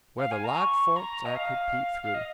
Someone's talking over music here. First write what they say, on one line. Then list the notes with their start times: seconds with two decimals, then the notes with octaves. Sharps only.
Where the log forked I could peep through.
0.18 F5
0.31 G#5
0.44 A#5
0.57 C#6
0.96 A#5
1.25 D#5
1.35 F5
2.02 F5
2.14 D#5